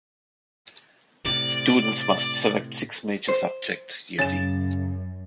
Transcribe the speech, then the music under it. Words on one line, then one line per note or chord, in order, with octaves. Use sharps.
Students must select six major subjects yearly.
A2 C3 D5
C5
F#2 C#3 C#5 G#5 A6 E7